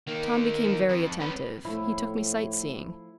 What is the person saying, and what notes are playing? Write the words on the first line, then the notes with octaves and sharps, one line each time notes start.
Tom became very attentive. He took me sightseeing.
D#3 A#3
F2
C#4 B4
A2 F3 A3 E4